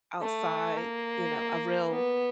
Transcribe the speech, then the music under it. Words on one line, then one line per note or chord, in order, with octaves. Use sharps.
outside, you know, a real
A3
A#3
B3